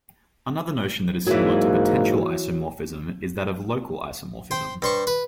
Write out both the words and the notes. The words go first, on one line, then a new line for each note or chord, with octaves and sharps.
Another notion that is similar to potential isomorphism is that of local isomorphism.
G#2 E3 F#3 A#3
C5 G5
G2 C5 C#6
B4